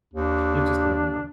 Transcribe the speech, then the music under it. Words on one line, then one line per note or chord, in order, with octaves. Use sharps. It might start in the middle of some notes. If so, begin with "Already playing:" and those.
you just never know.
D#2 D4